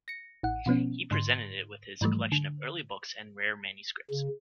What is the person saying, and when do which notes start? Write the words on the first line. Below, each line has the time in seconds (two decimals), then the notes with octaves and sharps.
He presented it with his collection of early books and rare manuscripts.
0.08 A#6 C#7
0.43 A1 F#5
0.66 B2 F3 B3 C#4
1.11 G#2 D3 C6
2.01 G#2 E3 F3 G3 A3
2.32 D3
4.11 C#3